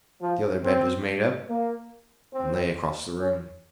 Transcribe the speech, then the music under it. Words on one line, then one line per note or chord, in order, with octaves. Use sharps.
The other bed was made up, and lay across the room.
F3
C4
A#3
C4
C#4